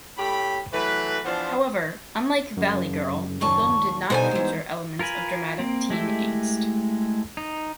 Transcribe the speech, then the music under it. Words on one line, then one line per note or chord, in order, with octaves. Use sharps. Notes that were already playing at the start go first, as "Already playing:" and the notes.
However, unlike "Valley Girl", the film did not feature elements of dramatic teen angst.
A2 G4 B5
E3 F#3 A3 B4
E3 F3 B3 D4 C5
F#2 C#3
D#2 A#2 A5 C#6
B2 D3 G3 B3 D#4 C5 G#5
E3 G#3
F4 A#4 B4 G#5 B5
A#3 C4
G#3 A3 E4 G4 E5
D#4